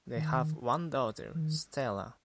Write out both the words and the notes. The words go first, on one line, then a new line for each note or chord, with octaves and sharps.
They have one daughter, Stella.
D#3
E3
D#3